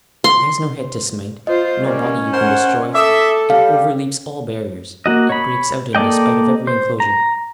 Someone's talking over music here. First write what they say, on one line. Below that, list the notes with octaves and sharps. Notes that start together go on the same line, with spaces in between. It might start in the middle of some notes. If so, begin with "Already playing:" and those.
It has no head to smite, no body you can destroy; it overleaps all barriers; it breaks out in despite of every enclosure.
C6
F4 C5 D#5
G3 A#3 C#4
A#4 C5 F#5
A4 E5 D6 D#6
G3 F5
A#3 F#4 D#5
C#5 B5
A#3 A4 D5 D#5 G5
C5
A#5